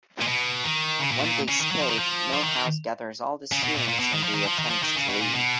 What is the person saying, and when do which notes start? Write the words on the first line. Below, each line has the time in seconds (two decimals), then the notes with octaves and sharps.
When they escape, Milhouse gathers all the students and they attempt to leave.
0.21 A#2
0.28 B2
0.64 D#3
1.00 C#3
1.12 A#2
1.24 A#2
1.48 C#3
1.60 D#3
1.71 F#3
1.82 F3
1.90 D#3
1.99 F3
2.34 F3
2.44 D#3
3.52 C#3
3.63 B2
3.76 A#2
3.88 A#2
4.00 B2
4.13 D#3
4.24 F3
4.35 D#3
4.47 F3
4.59 D#3
4.70 F3
4.83 D#3
4.96 C#3
5.09 B2
5.21 A#2
5.34 B2